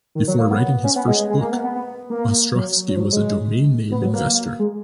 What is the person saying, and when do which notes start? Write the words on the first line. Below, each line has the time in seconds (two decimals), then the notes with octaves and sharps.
Before writing his first book, Ostrofsky was a domain name investor.
0.15 D#3
0.28 F#3
0.39 A#3
0.50 B3
0.84 C#4
0.96 B3
1.08 G#3
1.18 G#3
1.29 G#3
1.41 A#3
1.52 B3
1.64 B3
1.75 B3
2.10 A#3
2.55 F#3
2.89 F#3
2.96 F3
3.00 F#3
3.12 G#3
3.91 B3
4.02 F#3
4.14 A#3
4.59 G#3